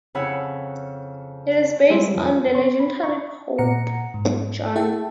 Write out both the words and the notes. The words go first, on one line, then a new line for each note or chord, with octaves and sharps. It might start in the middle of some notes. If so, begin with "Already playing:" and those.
It is based on the legendary Pope Joan.
F2 C#3 E4 C#5 F#5 E6
G3 G#3 C4 G4 C5
F2 F3
C#5 C6
B5
C#6
A#2 F#5 A#5 C#7
G#2
E4 G#4 E5 F#5 G5 A5